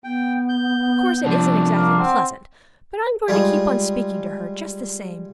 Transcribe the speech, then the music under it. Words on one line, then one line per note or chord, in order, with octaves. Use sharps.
Of course it isn't exactly pleasant, but I'm going to keep on speaking to her, just the same.
B3 G5
G6
C2 F3 D4
A#3
C4 F#5
G3 G#3 F4 G#4